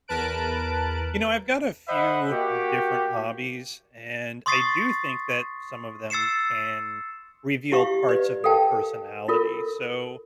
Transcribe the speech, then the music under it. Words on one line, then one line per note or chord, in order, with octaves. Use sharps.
you know, I've got a few different hobbies, and I do think that some of them can reveal parts of my personality, so,
E2 A#4 B4 A5 F#6 D7
C5 D#5 E5 F#5 B5
A#3 F#4 G4
C6 C#6 D#6 A6 B6 C7
E6 A6 C7 C#7 E7
E4 G4 F5 C#6
B4 D5
A4 A#4 F5 G5 A5
E4 F4 A4 A#4